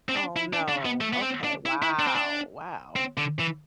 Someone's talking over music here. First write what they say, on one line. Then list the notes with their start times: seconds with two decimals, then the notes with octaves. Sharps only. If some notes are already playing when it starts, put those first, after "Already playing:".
Oh, no, okay, wow! Wow.
0.09 C4
0.15 D4
0.36 E4
0.53 D4
0.69 D4
0.85 B3
1.01 A3
1.13 B3
1.22 C4
1.44 D4
1.66 E4
1.82 E4
1.99 D4
2.06 C4
2.15 D4
2.96 C4
3.17 D3
3.40 E3